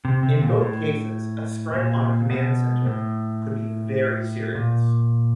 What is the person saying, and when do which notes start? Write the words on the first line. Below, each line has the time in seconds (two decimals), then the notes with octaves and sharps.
In both cases a strike on a command center could be very serious.
0.05 C3
0.23 C3
0.42 A#2
0.61 A2
1.74 A#2
2.30 B2
2.86 A2
4.55 A#2